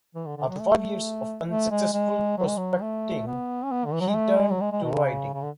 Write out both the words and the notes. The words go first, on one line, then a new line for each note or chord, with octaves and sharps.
After five years of unsuccessful prospecting, he turned to writing.
E3
D3
D3
F#3
A3
A3
G#3
G#3
F#3
G#3
F#3
A3
B3
C#4
B3
D3
E3
F#3
G#3
A3
G#3
F#3
G#3
G#3
B2
C#3
C#3
D3